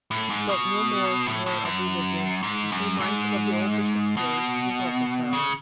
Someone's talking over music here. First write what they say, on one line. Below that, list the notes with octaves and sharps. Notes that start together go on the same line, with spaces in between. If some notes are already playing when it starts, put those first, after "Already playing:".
He spoke no more to her of religion, and she, mindful of the old Bishop's words, was also silent.
A2
G#2
B2
A2
A2
F#2
G#2
F#2
G#2
B2
C#3